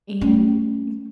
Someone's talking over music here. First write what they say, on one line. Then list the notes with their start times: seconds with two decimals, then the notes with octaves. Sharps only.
And m
0.21 A3 C#4